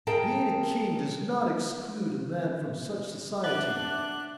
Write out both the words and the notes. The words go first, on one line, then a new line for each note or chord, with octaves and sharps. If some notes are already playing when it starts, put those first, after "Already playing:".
Being a King does not exclude a man from such society.
G#4 A#4 G5 A5
D4 E5 F#5 D6 F#6